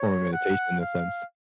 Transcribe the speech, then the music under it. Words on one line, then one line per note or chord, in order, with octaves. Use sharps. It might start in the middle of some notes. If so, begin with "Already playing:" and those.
form of meditation in a sense,
Already playing: C#5
F#5
F5